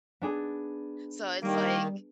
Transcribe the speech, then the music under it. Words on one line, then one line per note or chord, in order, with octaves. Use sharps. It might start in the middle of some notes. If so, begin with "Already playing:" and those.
So, it's, like
B3 D4 G#4
D#3 G3 A#3 D7